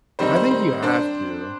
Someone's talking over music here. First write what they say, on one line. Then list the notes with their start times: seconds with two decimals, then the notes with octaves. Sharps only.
I think you have to,
0.19 D#3 G3 C4 D#4 C5
0.36 C5
0.51 C5
0.83 D4 C5